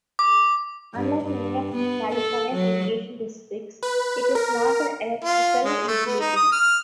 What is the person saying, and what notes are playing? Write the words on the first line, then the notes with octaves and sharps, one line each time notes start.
Unlike many of California's irrigation districts, it is not an electrical utility.
D6
G2
G2
B3
A4
F#3
B4
A#4
F4
G#3
A3
B3
D#4
D#6
F6